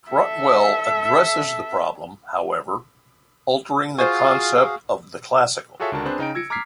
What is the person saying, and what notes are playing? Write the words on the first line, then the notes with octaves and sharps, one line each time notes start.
Cruttwell addresses the problem, however, altering the concept of the classical.
A4 E5
F4 F#4 G#4 C5 F5 G#5 C#6
F4 F#4 G#4 A4 C#5 E5
C#2 D3 D4 F#4 A#4 A5
C4 D4 G#4 B4 C5
C#3 D#4 G5 D7
E6 G#6 A#6 C#7 D7
A#5 D6 F6 G#6 B6 C7